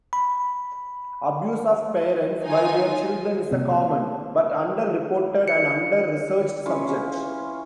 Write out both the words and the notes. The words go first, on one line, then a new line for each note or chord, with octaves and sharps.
Abuse of parents by their children is a common but under-reported and under-researched subject.
B5
D#4 F4 G#5
C3 A#3 C4
C#7
E3 C#4 F4